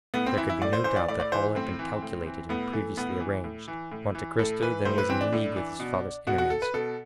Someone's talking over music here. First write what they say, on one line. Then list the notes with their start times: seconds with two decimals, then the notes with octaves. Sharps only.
There could be no doubt that all had been calculated and previously arranged; Monte Cristo then was in league with his father's enemies.
0.14 A2 B3
0.26 C4
0.37 E3 E4
0.49 E4
0.62 A2 D5
0.73 C5
0.84 E3 C5
0.96 D5
1.08 A2 D5
1.20 D5
1.32 E3 C5
1.55 A2 C4
1.79 E3
2.02 A2
2.26 E3
2.49 A2 B3
2.73 E3 A3
2.97 A2 B3
3.20 E3
3.44 A2
3.68 E3
3.92 A2
4.15 E3
4.39 A2 A4
4.62 E3 B4
4.85 A2 C5
4.98 B4
5.09 E3 C4
5.21 D4
5.33 A2
5.56 E3
5.80 B2
6.27 B2 F#4
6.38 F#4
6.50 A4
6.62 B4
6.74 B2 A4